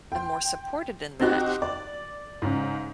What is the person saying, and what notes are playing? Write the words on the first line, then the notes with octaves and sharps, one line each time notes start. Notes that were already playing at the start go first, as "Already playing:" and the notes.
and more supported in that.
G5 C6
C4 D#4 F#4 G4
D5
G#2 C#3